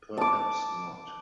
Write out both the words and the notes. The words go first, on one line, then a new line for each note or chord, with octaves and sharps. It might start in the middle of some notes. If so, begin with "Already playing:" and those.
Perhaps not.
A5 D6